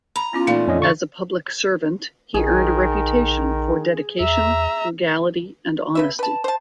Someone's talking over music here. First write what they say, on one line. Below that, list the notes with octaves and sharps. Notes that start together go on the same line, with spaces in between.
As a public servant, he earned a reputation for dedication, frugality, and honesty.
A#5 B5
B3 C#4 E4 F4
A#2 E3 A3 D#4 F5
F2 C#4 D#5
D3 C#6 A6
A#1 D#3 G#4
E2 E5 A#5
C#3 B4 E5
B4 A5
C5 A5